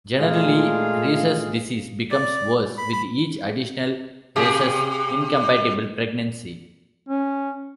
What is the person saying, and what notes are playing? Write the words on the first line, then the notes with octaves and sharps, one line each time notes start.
Generally rhesus disease becomes worse with each additional rhesus incompatible pregnancy.
A#2 G#3 A3 F4 G#4 F5
D5
B5
B5
C3 G4 G#4
C#4